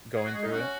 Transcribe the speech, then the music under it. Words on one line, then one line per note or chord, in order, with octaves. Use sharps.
Going through it?
G#4
F#4
G#3 G#4
D#4
C#4 F#4